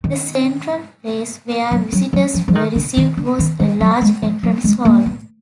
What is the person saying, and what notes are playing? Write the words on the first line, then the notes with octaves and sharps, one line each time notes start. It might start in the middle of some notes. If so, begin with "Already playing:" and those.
The central place where visitors were received was a large entrance hall.
D#3
F#3
F#3
F#3
F3
F3
D#3
D3
D#3
D3
D#3
D#3
F#3
G#3
F3
F#3
G#3
A#3
B3